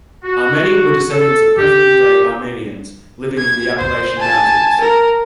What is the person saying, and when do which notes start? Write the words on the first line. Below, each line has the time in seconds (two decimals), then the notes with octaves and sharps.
"Ahrmenee" were descendants of present-day Armenians living in the Appalachian Mountains.
0.24 F#4
1.11 A4
1.57 G4
3.38 G#6
3.79 C5
4.18 G#5 A5
4.81 A#4